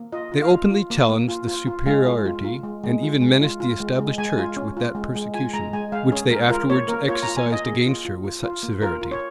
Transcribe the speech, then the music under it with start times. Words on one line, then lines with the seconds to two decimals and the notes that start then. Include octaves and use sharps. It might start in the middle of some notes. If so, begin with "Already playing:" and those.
They openly challenged the superiority, and even menaced the established church with that persecution which they afterwards exercised against her with such severity.
Already playing: A#3
0.12 F4 D#5
0.32 F4
0.42 F5
0.51 F4
0.71 F4
0.90 A#3
1.09 A#3
1.29 F4
1.47 F4
1.67 F4
1.86 G#3 F5
2.06 F4
2.26 F4
2.44 F4
2.64 G#3
2.84 G#3
3.02 F4
3.22 G#3
3.41 F4
3.60 F4
3.80 G#3
3.99 G#3
4.18 G#3 G#5
4.38 F4
4.57 C#4
4.77 F4
4.95 G#3
5.16 G#3
5.34 F4 G#5
5.53 G#3 A#5
5.73 G#3 G#5
5.92 G#3 F5
6.12 C#4 G#4
6.31 G#3 A#4
6.50 F4 A#4
6.70 A#3 C#5
6.88 A#3 A#4
7.08 F4 C#5
7.23 F4 A#5
7.37 G#5
7.46 A#3
7.52 D#5
7.66 A#3 G#4
7.86 F4
8.05 F4
8.24 F4
8.43 F4
8.63 A#3
8.82 F4 A#4
9.01 F4
9.11 C#5